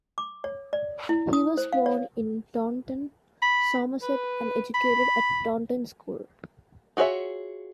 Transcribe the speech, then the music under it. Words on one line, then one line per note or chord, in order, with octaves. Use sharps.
He was born in Taunton, Somerset and educated at Taunton School.
D6
C#5
D5
E4
D#6
C5
F5
C#5
B5
B4
B5
F4 F#4 G#4 C#5 E5